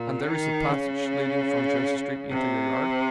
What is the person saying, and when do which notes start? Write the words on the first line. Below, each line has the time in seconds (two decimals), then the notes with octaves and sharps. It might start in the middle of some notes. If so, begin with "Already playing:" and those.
"And there is a passage leading from Jersey Street into your yard?"
Already playing: A#2
0.29 D#3
0.69 C#3
2.31 C3